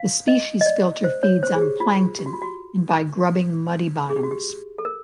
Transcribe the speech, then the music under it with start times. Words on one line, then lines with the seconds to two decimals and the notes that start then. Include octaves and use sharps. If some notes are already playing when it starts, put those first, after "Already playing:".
The species filter feeds on plankton and by grubbing muddy bottoms.
Already playing: F5
0.28 D#5
0.61 D#5
0.66 D5
1.04 C5
1.23 C#5
1.43 C5
1.55 G#4
1.61 G4
1.80 F4
2.19 G4
2.26 F#4
2.33 F4
2.42 F#4
4.10 G#4
4.16 G4
4.23 F#4
4.31 G4
4.78 A4
4.85 A#4